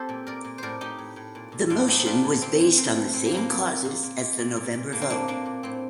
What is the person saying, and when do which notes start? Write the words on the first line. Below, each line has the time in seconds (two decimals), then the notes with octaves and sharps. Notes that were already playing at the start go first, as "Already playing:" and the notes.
The motion was based on the same causes as the November vote.
Already playing: C4 G4 A4 C5
0.09 A#2
0.27 A#2 A#4 D5
0.45 A#2
0.58 A2 A#4 C5 D5
0.81 A2 D#4 G4
0.98 A2
1.16 A2
1.35 A#2
1.52 A#2
1.70 A2 D4 F4
1.87 A2 C4 D#4
2.05 A2 D4 F4
2.23 A2
2.41 A#2 C4
2.60 A#2
2.77 A2 C4
2.95 A2
3.13 A2 C4
3.26 A#3
3.31 A2
3.37 A#3
3.49 A#2
3.67 A#2
3.85 A#2
4.03 A#2
4.20 A#2
4.39 A#2
4.56 A#2
4.74 A#2
4.92 A2 A#3
5.02 C4
5.10 A2 A#3 D4
5.28 A#2 A#3 D4
5.46 A#2
5.63 A2 C4